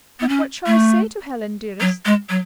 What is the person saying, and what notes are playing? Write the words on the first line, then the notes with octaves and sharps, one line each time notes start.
"But what shall I say to Helen, dearest?"
B3
C#4
A3
F#3
G#3
F#3